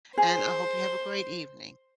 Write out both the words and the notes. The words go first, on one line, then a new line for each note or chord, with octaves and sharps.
and I hope you have a great evening.
G#4 C5